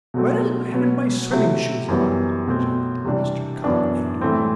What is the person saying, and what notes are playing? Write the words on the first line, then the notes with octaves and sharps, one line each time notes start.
"Well, I haven't my swimming shoes on," objected Mr. Cock A. Doodle.
B2 F#3 A3 C4
B2 F#3 B3
C3 F#3 A3 E4
F#2 E3 G3 B3
B2 A3 C4
C3 E3 G3 D4
F#2 E3 B3 D4
A2 E3 A3 C4